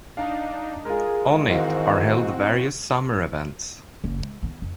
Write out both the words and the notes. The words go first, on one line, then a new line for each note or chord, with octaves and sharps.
On it are held various summer events.
D4 D#4 F5
G#3 F4 G#4 A#4
G#2 D#3 E3 C4 F#4 D#5 F5
F#1
G#3
D#3 B3
F2